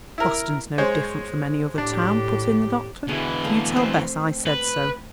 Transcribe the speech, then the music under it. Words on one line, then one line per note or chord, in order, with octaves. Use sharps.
Boston's no different from any other town," put in the doctor. "You tell Bess I said so.
E4 A#4
G#3 C5 C#5
A2 D4 G4
B2 D3 E3 G#4
A3 A#3
A3 C4 C5
B4